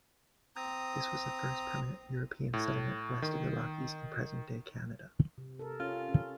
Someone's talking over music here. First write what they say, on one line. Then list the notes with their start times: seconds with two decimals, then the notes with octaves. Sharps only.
This was the first permanent European settlement west of the Rockies in present-day Canada.
0.56 C4 A#5 D#6
2.53 A2
3.22 D#3
5.38 C3
5.59 A4 A#4
5.80 C#4 F4
6.09 C#4